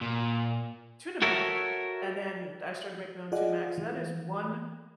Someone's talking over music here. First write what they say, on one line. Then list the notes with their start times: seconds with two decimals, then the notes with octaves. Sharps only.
Tuna Mac, and then I started to make my own Tuna Mac, so that is one
0.01 A#2
1.22 F#4 A4 A#4 C#5 E5
3.32 F4 G#4 D5 D#5 F#5
3.78 E3